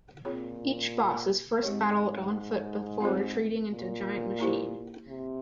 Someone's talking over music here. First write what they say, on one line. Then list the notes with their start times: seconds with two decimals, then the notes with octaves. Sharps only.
Each boss is first battled on foot before retreating into a giant machine.
0.25 A#2 C4 F4 G#4 C#5
1.62 G#2 G#3 C4 G4 C#5
3.00 C4 F4 G#4 C5
3.70 A#2
4.39 A#3 E4 G4 C5
5.08 C3